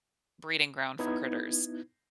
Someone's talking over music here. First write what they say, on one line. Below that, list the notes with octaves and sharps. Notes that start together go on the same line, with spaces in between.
breeding ground for critters.
B3 D#4 E4 G#6